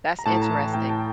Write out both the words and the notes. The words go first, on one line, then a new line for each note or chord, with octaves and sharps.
That's interesting.
A#5
A2 A5
A#5
E3
A5
A2 G5
A5